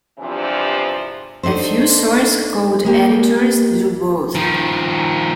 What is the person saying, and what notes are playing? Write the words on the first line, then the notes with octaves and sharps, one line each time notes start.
A few source code editors do both.
E2 C3 E3 F3 G3 D4
D4 D#4 A4 C5
G#3 A#3 G4
D#3 F3